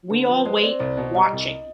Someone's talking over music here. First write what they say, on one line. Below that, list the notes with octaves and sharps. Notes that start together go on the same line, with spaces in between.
We all wait, watching.
D3 B4
F3 B4
G#3 C5
C4 D5
C2 C5
B2
G3 D#5
C2